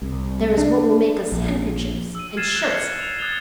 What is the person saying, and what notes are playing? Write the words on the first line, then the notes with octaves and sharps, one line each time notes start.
There is what will make us handkerchiefs and shirts!
C2
D4
A#1
E6 D#7
F6 G#6 A6 C7 D#7 E7
F#6 E7
G#6 C7 C#7
F7
D#6 F#6 G#6 A6 F7 G7